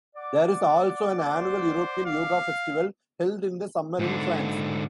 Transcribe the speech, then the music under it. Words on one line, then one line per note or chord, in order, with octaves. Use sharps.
There is also an annual European Yoga Festival held in the summer in France.
D5 F#5 D6
C5
F5
G#2 D3